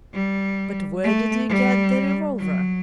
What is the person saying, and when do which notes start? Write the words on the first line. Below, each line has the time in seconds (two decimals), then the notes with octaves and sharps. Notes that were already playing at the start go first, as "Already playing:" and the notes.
But where did you get the revolver?
0.13 G3
1.03 A3
1.48 G3
2.38 F#3